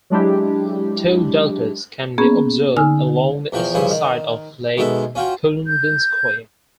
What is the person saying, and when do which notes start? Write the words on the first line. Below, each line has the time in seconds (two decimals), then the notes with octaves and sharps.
Two deltas can be observed along the eastern side of Lake Kulundinskoye.
0.10 F#3 G#3 D4 E4 G4
2.18 A#3 B3 C#4 G#4
2.77 D3 D#4 G#5 E6 F6
3.52 E2 E3 F3 G5 C#6
3.74 G2 C#3 F3 E4 G#4 C#5
3.90 D#3
4.77 B2 D#3 G#3 A4 E5
5.15 C#4 F4 F#4 G5
5.67 G6